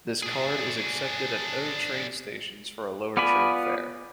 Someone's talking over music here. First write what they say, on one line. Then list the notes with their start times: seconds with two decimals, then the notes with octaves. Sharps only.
This card is accepted at O-Train stations for a lower train fare.
0.23 D4 G#4
3.17 B3 F4 D5 G#5 B5